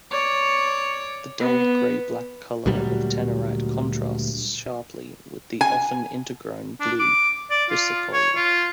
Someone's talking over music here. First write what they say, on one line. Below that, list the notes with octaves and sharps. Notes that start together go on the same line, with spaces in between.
The dull grey-black color of tenorite contrasts sharply with the often intergrown blue chrysocolla.
C#5 D5
B3
D2 A#2 F#3 G3
G#5
D4
D6
D5
F4
C#5
F4